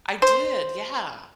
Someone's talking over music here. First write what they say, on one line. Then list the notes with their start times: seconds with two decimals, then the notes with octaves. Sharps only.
I did, yeah.
0.22 C5